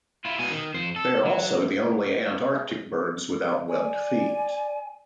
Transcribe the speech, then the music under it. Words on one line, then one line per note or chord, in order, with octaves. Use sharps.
They are also the only Antarctic birds without webbed feet.
E4 F4
B2 G#5
D#3
F2 C5
A4
F#3
D5 G#5